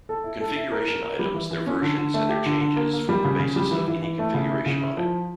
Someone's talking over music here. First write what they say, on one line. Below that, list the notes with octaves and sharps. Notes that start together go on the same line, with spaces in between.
Configuration items, their versions, and their changes form the basis of any configuration audit.
A4
E4
A4
E4
A#4
A#4
A#4
G3
E3
E3
C#4
D3
D3
A3
G4
D3
D3
A#3
A#3
G3
C#3
C#3
G3
E3
E3
E3
A3
C#3
E4
C#3
E4
F3